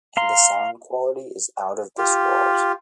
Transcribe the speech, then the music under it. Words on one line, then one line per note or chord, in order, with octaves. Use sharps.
And the sound quality is out of this world.
F5 A#5 C6
F4 G4